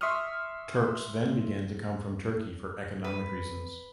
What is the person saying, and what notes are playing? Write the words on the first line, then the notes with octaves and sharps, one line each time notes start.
Turks then began to come from Turkey for economic reasons.
E5 C6 C#6 D#6 F6
B4